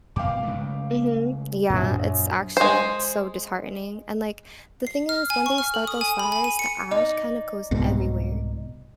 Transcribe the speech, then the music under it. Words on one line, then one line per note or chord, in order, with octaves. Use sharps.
Mhm. Yeah. It's actually so disheartening, and, like, the thing is when they start those fires, the ash, kind of, goes everywhere,
G2 B2 F5 G5 D6
C#3 G#3 A3
A#1 F#2 F#3
G#3 C5
C7
F6
G#5
C#6
F6
A4
D#6
G#5
B5
G#5
D#7
C#7
D#4 D5
C2 G#2 B2